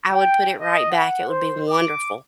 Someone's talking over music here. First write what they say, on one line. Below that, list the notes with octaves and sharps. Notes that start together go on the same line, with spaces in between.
I would put it right back, it would be wonderful.
G5
D#5
F#5
C5
D6